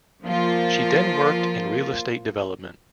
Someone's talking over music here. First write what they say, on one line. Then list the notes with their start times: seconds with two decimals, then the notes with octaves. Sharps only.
She then worked in real estate development.
0.24 F3 A#3 F4